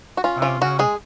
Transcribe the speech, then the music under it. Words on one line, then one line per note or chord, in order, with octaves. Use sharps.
Oh no.
F#4
C#4 F4
C#4 F4
C#4 F#4
G#3 G#4